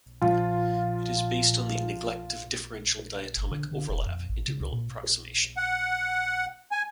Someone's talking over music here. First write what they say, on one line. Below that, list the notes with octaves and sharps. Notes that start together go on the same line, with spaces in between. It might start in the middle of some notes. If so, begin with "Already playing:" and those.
It is based on the Neglect of Differential Diatomic Overlap integral approximation.
A#2 F3 F4
G1
D3
D3
F1
F2
A1
C#3
C#2
A#2
F#5
G#5